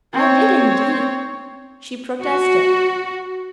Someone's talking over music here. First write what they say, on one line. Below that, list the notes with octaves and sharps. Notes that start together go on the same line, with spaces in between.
I did indeed,' she protested.
C4 C#5
F#4